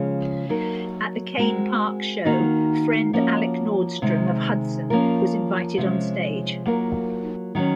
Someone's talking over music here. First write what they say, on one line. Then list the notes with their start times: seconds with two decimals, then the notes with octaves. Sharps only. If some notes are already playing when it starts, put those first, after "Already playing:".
At the Cain Park show, friend Alec Nordstrom of Hudson was invited onstage.
Already playing: C#3 F3 G#3 C#4 G#4
0.49 F#3 A#3 D#4 A#4
1.38 G#3 C4 F#4 A#4
2.25 D#3 A#3 D#4 F#4
3.13 F3 A#3 C#4 F#4
4.02 C3 D#3 G#3
4.90 F3 A#3 C#4 F4 A#4
5.78 C3 F3 G#3 C#4
6.66 F#3 A#3 F4 A#4
7.55 D#3 F#3 C#4